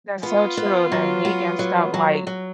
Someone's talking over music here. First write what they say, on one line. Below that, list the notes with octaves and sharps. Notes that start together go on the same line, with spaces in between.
That's so true, they're making stuff like
B3 F4
B3
F#3
B3
F#3
F#3
F#3